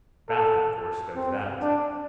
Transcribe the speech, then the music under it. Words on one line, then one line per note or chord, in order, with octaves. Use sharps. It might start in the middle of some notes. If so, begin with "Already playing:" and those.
Bath of course does that.
A4
C4
D4